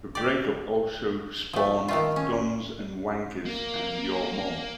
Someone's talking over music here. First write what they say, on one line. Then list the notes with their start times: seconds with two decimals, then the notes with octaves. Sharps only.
The break-up also spawned Guns n' Wankers and "Your Mum".
0.15 G4 D5
1.53 F3 A3
1.88 D#3 A3 F4
2.16 C#4
3.45 A#3